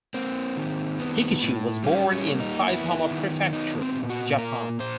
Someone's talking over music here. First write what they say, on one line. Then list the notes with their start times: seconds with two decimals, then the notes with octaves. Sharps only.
Hikichi was born in Saitama Prefecture, Japan.
0.14 A#3 C4
0.57 D#3
0.99 B3
1.42 A2
1.84 G3 C#4
2.13 C#4
2.27 A#3
2.40 D#4
2.68 B3 E4
3.11 D#3
3.53 B3 D#4
3.81 C4
3.95 A#2
4.09 F#4
4.38 A#3 A#4
4.80 A#2 C5